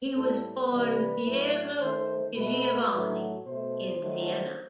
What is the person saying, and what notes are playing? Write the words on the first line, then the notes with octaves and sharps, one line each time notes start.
He was born Piero di Giovanni in Siena.
A2 G3 A4
C3 E3 G3 B4
A2 F#3 A3
D#3 A3 C5
B2 A3 B4
A2 F#3 A3
B2 A3 C5
D#3 F#3 A3